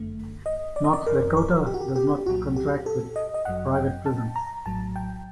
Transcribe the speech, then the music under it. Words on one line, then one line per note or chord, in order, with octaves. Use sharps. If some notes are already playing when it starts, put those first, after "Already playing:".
North Dakota does not contract with private prisons.
Already playing: G1 F#2 D3 A3
D#5
D5
D#5
D5
G1 F#2 D#3 A#4
A#4
G4
F#4
G4
G4
C2 A#2 F#3 F#4
G4
A4
D#5
D#5
G1 F#2 F#3 F#5
G5
A5
A#5
A#1 A2 F#3 A5
G5